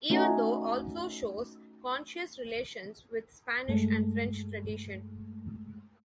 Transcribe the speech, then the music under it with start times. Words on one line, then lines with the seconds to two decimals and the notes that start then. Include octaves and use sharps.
Even though, also shows conscious relations with Spanish and French tradition.
0.10 A3 C#4 D#4 F#4
3.68 G2 G#3 A3